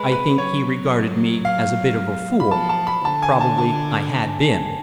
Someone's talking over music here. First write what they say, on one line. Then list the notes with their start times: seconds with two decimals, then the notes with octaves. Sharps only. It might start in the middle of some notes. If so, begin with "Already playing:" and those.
I think he regarded me as a bit of a fool. Probably I had been.
Already playing: G#3 B4
0.12 B4
0.38 F#3 C#5
1.45 F5
2.40 B5
2.51 F3 A5
2.69 A5
2.87 B5
3.05 D3 A5
3.23 G#5
3.41 A5
3.58 A5